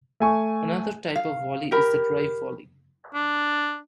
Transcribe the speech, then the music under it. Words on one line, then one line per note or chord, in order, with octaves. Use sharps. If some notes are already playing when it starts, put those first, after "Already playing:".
Another type of volley is the drive volley.
A3 G#5 C#6
F5
G4 A#4 B5
D4